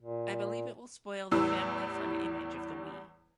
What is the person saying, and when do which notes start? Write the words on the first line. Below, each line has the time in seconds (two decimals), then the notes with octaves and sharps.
I believe it will spoil the family fun image of the Wii.
0.01 A#2
1.31 E2 A2 E3 G3 E6